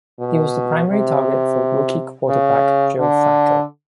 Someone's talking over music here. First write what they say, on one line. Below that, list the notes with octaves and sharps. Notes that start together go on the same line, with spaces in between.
He was the primary target for rookie quarterback Joe Flacco.
B2
C3
C#3
D3